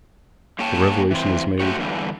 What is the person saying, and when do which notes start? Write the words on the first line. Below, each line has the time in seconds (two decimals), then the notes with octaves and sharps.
The revelation is made.
0.59 D3 A#3 G#4 C#5 G5 A5
1.11 E3 C4
1.60 G#3 A3 F#4 G4 C#5
1.79 E2 G2 D3 E3